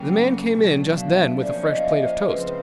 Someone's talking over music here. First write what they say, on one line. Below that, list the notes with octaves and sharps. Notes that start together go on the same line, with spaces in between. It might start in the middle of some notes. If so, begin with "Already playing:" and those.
The man came in just then with a fresh plate of toast.
Already playing: C#3 F#3 A#3 C#4 G5
F#5
B2 F#3 A3 D4
F5
E5
F3 A#3 C#4 D5
D#5
F5
E5
C5
C#3 F3 G#3 C4 B4